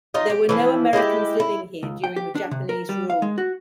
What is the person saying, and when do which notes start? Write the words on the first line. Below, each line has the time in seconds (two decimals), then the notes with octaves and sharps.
There were no Americans living here during the Japanese rule.
0.14 D#4 F4 D#5
0.30 G4
0.49 E3 F3 E4
0.93 G#3 E4 F#4 G4
1.40 E4
1.83 C#2
2.04 G5
2.16 G4
2.35 D4
2.51 C3
2.69 A#4
2.89 G3
3.10 F5
3.22 G#3
3.38 F#4